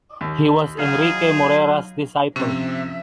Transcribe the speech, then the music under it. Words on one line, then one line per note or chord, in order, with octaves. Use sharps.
He was Enrique Morera’s disciple.
D#2
F#3 D#4 G#4 F5
C3 F3 C4 C#4 E5